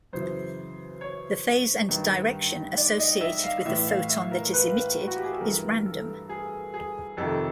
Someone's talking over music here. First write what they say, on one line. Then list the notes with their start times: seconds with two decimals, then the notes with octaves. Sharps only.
The phase and direction associated with the photon that is emitted is random.
0.13 F#2 C#3 E3 C5
1.01 C#5
1.89 G2 D#3
2.77 D5
3.00 D#5
3.21 E5
3.43 F5
3.65 A2 E3 E5
3.87 F5
4.09 E5
4.31 A#4
4.53 B4
5.07 F#4
5.16 G4
5.24 G#4
5.33 A4
5.41 G2 E3 A#4
5.86 A4
6.29 G#4
6.74 G#4
7.17 F2 C3 D#3 A4